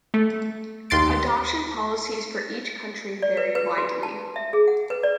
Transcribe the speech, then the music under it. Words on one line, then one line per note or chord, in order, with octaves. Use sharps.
Adoption policies for each country vary widely.
A3
D#2 C6 A6 D7
D5
B4
B4
F#4
A5
E5
G#4
F#5
B4
D5